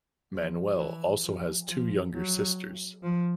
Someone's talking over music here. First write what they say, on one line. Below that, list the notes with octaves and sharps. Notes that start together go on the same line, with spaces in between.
Manuel also has two younger sisters.
F3
E3
F3
F3
F#3
F3